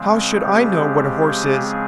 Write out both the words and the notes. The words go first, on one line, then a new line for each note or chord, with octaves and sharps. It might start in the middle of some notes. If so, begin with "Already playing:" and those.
How should I know what a horse is?
Already playing: C#3 F3 G#3 C4
G4
G#4